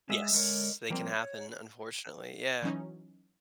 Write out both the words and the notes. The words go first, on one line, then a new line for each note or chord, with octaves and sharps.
Yes. They can happen, unfortunately, yeah.
G#3 G#4 E5 F5
D3 G#3 A3 A#4 C#5
F3 G3 A#3 C4
C#5
E3 F#3 C#4 D#4